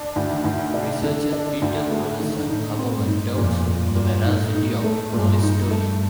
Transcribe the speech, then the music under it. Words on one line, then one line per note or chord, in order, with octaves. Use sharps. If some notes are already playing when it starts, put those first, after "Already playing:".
Researcher Peter Rogerson, however, doubts the veracity of Boas' story.
Already playing: D4
D2
D#3
D2
C3 D4
D3
D4
D2 D3
A3
D3 D#3
A2 D#4
C4
G2
D#4
F2 A#2
A#2
G2
A#2
A2 D#4
D#4
A3
G2 A#2
D#4
G2
A3